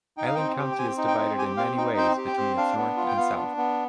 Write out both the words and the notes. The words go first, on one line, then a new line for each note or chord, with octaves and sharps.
Island County is divided in many ways between its north and south.
D#4 G5
F5
C4 G5
G4
G5
C4 G#5
D#4
G5
C4
G4 G#5
C4 F5
D#4 G5
C4 G5
G4
G5
C4
D4 F5
B3
F4
G5
B3 F5
D4
B3